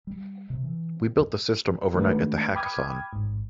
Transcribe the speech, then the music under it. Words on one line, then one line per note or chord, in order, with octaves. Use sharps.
We built the system overnight at the Hackathon.
G3
C3
E3
D#3 G#3 A3 D4 F#4 B4
G5 B5 D6 D#6 F6 G#6
A1 G#2